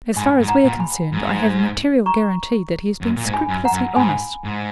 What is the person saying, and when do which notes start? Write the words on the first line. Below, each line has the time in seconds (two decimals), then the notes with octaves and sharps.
As far as we are concerned, I have a material guarantee that he has been scrupulously honest.
0.16 G#2 G#5 B5
0.40 G#2
0.48 F#5 A#5
0.64 A#2
0.79 G#5 B5
1.12 G#2
2.06 A#5 C#6
3.01 F#2
3.16 A#2
3.26 G#2
3.34 G#5 B5
3.49 F#2
3.65 F#5 A#5
3.72 F#2
3.96 G#2 G#5 B5
4.44 G#2